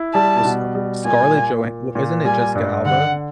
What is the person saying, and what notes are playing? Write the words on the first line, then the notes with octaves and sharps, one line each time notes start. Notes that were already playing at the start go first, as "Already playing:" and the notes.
Oh, was, uh, Scarlet Joha wh isn't it Jessica Alba?
Already playing: E4
G3 A5
B2
G3
A#2 G#5
A#2
A#2
A#2
G3 G#5
G2
D3 F#5